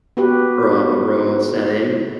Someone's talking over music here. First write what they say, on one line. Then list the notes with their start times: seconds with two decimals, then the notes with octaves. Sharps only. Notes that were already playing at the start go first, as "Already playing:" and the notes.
ru a rural setting,
0.17 B3 F#4 G4 B4